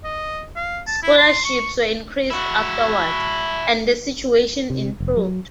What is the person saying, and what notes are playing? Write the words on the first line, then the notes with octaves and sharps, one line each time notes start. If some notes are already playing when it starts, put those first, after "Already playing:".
Scholarships were increased afterwards, and the situation improved.
D#5
F5
A5
E4
C6
C#6
E4 F#4
C3
F1
F#3